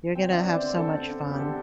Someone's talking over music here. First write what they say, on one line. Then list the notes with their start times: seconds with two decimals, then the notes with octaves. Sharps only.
You're gonna have so much fun.
0.15 C4 G5
0.31 D3 E5
0.36 D5
0.46 C4 D5
0.56 C5
0.62 D3
0.77 D3 A4
0.93 C4
1.08 D3
1.24 E2
1.31 G4
1.39 D3 A4